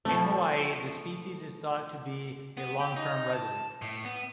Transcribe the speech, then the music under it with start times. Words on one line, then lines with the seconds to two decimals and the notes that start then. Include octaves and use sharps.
In Hawaii, the species is thought to be a long-term resident.
0.05 B2 F3 A3 C4
2.57 B3
2.80 G4
2.96 D#4
3.33 A5
3.82 A2
4.05 B3